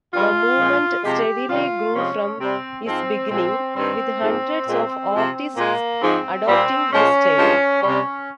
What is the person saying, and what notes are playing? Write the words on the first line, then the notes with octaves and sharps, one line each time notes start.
The movement steadily grew from its beginning, with hundreds of artists adopting this style.
G2 G3 F4
A#2 F3 G#3
C3 F3 G#3 G4
C3 D#3 G3 F4
C3 F3 G#3 C#4
C3 G3 C4
G#2 F3 G#3 C4
A#2 F3 G#3 C4
G2 D#3 G3 C4
G#2 F3 G#3
A#2 G#3
C3 F3 G#3
A#2 G#3 A#3
G#2 F3 G#3 C4
A#2 G3 C4
A#2 F3 G#3 C#4
G2 F3 G#3
C3 G3 C#4